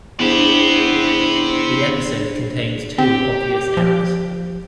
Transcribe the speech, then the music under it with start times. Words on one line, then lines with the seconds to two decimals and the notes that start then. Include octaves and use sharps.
The episode contains two obvious errors.
0.20 E2 C4 D4 G4 G#4 C5 F#5 B5
2.98 C4 G4
3.77 F3